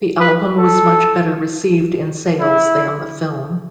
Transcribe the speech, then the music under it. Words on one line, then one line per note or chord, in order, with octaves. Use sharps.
The album was much better received in sales than the film.
B4
A4
E4